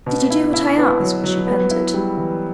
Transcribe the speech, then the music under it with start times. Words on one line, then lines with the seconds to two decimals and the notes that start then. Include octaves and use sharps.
"Did you do what I asked?" she panted.
0.06 B2
0.30 E4
0.54 E4
0.77 B3
1.00 F#3
1.24 F#3
1.47 B3
1.71 E4
1.94 G3
2.17 E3